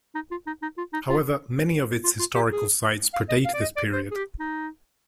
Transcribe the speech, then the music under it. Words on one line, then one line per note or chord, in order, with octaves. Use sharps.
However, many of its historical sites predate this period.
D#4
F4
D#4
D#4
F4
D#4
F4
F4
F4
G4
G#4
F5
D#5
F5
D5
D#5
D5
C5
G#4
G4
D#4